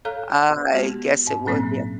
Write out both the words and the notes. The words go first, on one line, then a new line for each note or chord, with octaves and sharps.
I guess it would, yeah.
A4 C#5 F5 A#5 F6 F#6
G#3 B3 F#4 G4
G#2
A#2 F#3 A#3 C4 C#4